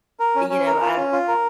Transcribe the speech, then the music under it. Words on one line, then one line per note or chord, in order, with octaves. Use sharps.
and you know, I
A#4
C#4
C#4
A#4
F4
C#4
F4
A#4